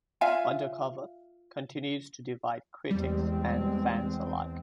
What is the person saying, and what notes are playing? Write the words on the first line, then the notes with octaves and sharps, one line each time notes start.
"Undercover" continues to divide critics and fans alike.
F4 E5 F5 G#5
E2 G3 G#3 C4